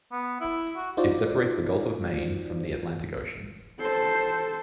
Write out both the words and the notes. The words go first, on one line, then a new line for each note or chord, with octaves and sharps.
It separates the Gulf of Maine from the Atlantic Ocean.
B3
E4
F#4
D#4 F4 F#4 C5 D5
A4 C5